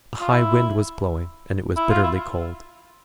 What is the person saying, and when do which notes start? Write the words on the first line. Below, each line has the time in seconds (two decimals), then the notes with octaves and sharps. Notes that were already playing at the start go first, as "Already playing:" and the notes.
A high wind was blowing and it was bitterly cold.
0.20 F4
0.31 E4
1.76 E4
1.90 F4
2.03 E4